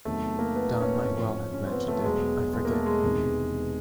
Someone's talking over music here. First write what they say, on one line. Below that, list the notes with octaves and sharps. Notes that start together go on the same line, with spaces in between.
Don might well have mentioned it; I forget.
E2 C3 D#3 F#3 A3
A#3
B3
C#4
G#1 F#2 C#3 F3 C#4
C#4
C4
B3
A3
E1 E2 B2 F#3 G#3
G#3
A#3
A3
G#3
E1 E2 C3 D#3